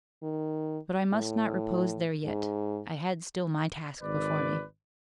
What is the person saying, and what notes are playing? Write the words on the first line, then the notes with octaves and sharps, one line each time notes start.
But I must not repose there yet; I had still my task before me.
D#3
A2
G#2
G#1 D#3 B4 D5